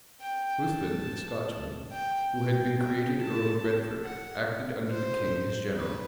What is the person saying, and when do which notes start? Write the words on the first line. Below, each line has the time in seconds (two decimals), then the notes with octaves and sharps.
Ruthven, a Scotchman, who had been created earl of Brentford, acted under the king as general.
0.21 G5
0.65 A5
1.91 G5
2.34 G5
2.77 G5
3.20 A5
4.04 F#5
4.89 C5
5.75 B4